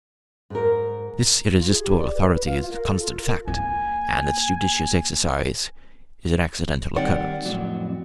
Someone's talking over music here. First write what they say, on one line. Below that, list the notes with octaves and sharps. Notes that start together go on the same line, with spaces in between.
This irresistible authority is a constant fact, and its judicious exercise is an accidental occurrence.
G#2 A#4
F4
G#4
G4
D5
B4
B4
F5
F4
A#4
A4
F4
A#4
A#3 G#5
D#3 G3 C4 D5 F#5
F2 A2 F#3